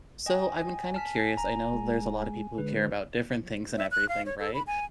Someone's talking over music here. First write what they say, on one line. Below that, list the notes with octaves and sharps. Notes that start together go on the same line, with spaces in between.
So, I've been kinda curious. I know there's a lot of people who care about different things and everything, right?
D#5 G5 G#5
A5 F6 B6
D1 A#5
G#3
D3 G#3 B4
E5
F#6
F5
C#5
A4
B5
G#5